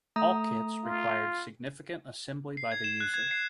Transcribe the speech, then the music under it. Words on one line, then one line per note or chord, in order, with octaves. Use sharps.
All kits required significant assembly by the user.
A3 A#5 D#6
F4
C7
G#6
E7
F#6
G#6
C7